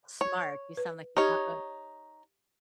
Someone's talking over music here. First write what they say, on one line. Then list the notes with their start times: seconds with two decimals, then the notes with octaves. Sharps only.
Smart. You sound like you have a
0.21 C#5
0.77 B4
1.17 D#4 G4 C#5